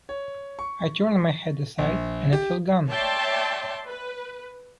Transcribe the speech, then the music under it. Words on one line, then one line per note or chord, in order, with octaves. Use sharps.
I turned my head aside, and it was gone.
C#5
C#6
A#1
G4
C#5 D5 E5 G5 A5 C6
B4